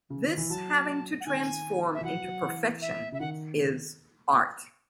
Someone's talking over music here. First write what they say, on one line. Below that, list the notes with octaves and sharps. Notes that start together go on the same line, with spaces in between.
This having to transform into perfection is-art.
C#3
D#3
E3
F#3 A5
F#5
D#3 G#5
E5
E3
F#3 F#5
F#3
E3
E5
C#3 E5
D#3 F#5